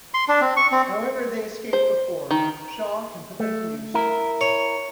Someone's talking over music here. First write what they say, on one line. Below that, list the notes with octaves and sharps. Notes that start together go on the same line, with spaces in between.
However, they escape before Shaw can put them to use.
C6
D4
C4
C#6
C4
C5
D#3
A3
E4 A#4
C#5